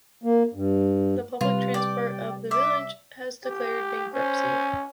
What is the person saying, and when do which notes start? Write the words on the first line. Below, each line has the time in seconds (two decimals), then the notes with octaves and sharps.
The public transport of the village has declared bankruptcy.
0.24 A#3
0.54 G2
1.41 C3 G3 F4 B4
1.74 D5 G5
2.51 E5 D6
3.45 G4
4.14 C#4 C5